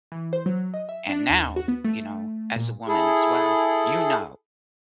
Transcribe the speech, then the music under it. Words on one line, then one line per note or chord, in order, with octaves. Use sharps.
and now, you know, as a woman as well, you know
E3
C5
F#3
D#5
E5
D4
D#2
F#4
B3
A3
A#2
E4 G#4 A4